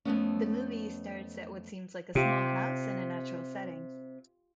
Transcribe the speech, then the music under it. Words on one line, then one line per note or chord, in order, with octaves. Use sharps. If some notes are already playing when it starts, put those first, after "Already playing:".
The movie starts at what seems like a small house in a natural setting.
F2 A3 B3 C#4
C3 F4 G4